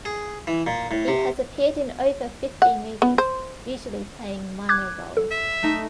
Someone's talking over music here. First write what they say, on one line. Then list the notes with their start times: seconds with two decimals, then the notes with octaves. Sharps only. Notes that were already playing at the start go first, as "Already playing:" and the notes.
He has appeared in over fifty movies, usually playing minor roles.
0.05 G#4
0.47 E3
0.67 A#2
0.91 A2
1.08 C3
2.62 F#5
3.02 B3
3.18 C5
4.69 D6 F#6 G#6
5.17 A4
5.31 E5
5.63 A3 D#4